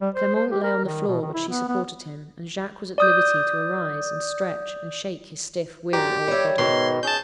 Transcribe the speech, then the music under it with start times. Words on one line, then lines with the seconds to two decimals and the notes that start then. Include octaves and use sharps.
Clement lay on the floor, but she supported him, and Jacques was at liberty to arise and stretch and shake his stiff, weary old body.
0.01 G3
0.14 C5
0.35 C5
0.51 G4
0.63 A#4
0.84 D#3
1.07 B2
1.21 D#3
1.34 E4
1.49 B3
1.68 B3
2.98 D5 D#6 G6
5.93 F#2 G4 D5 A#5
6.28 G3 C#5 E5
6.58 G#2 B2 D#3 C6
7.03 C#4 G#4 A5 G6